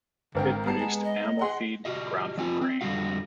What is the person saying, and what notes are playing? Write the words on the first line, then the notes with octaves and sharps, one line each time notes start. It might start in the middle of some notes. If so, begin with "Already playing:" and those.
It produced animal feed ground from grain.
G#1 D3 A#4 G5
G3 B3 A5 A#5 C7
G#3
D#5
G#4 F#5 C6
F#4 G4 D#5
F3 C4 F4 G#5
C4
F2 D3 D#3 G3 F#4 F5